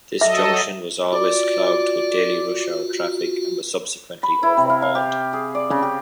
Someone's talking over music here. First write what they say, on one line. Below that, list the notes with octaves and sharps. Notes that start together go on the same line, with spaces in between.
This junction was always clogged with daily rush hour traffic and was subsequently overhauled.
F#3 A4 D#5 E5
F4 F#4 D5
B5
E4
C3
F5
F5
G4
G#4
D5
C#3
G4